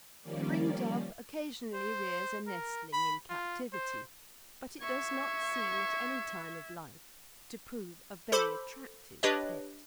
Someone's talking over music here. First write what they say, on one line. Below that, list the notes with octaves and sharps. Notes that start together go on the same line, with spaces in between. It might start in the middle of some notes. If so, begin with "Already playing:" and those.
The ringdove occasionally rears a nestling in captivity, but it does not seem, at any time of life, to prove a very attractive pet.
D#3 F3 G3 A#3 C#4 D5
C5
A#4
B5
F4
C5
E5 C#6 G#6
A4 C5 B5 D6
D4 G4 B4 C#5 D#5